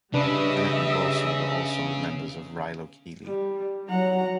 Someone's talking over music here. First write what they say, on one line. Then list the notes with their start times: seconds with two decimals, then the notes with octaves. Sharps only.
Sennett and Boesel were also members of Rilo Kiley.
0.14 C#3 G3 D4 B4 D#5 E5
3.25 G3
3.90 F#3 F#5 A#5